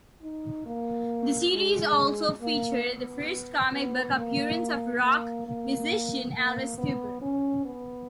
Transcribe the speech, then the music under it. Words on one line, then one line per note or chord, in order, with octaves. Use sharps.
The series also featured the first comic book appearance of rock musician Alice Cooper.
D#4
A#3
G#3
A#3
B3
B3
A#3
A#3
A#3
A#3
B3
C#4
B3